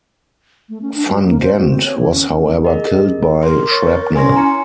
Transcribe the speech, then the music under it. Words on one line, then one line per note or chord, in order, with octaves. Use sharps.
Van Ghent was however killed by shrapnel.
A3
C#4
D4
F#3
A#3
C5
F#4
C4
C#5
E3
C#4
G#4 A#4 D#5
A#4 C6
C#5 C#6 A6
C#4 G#5 C6 A#6
E4 A#5 C#7